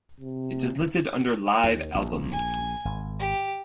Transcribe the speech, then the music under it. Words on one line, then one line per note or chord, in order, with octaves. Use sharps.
It is listed under Live albums.
C3
D#2
A#1
G#5
G#1
G4